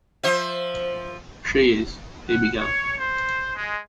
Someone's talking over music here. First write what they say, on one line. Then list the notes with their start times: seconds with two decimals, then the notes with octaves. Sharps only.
"She is -" he began.
0.23 F3 C5 E5
2.28 F#5
2.60 C#5
2.99 C5
3.56 G#3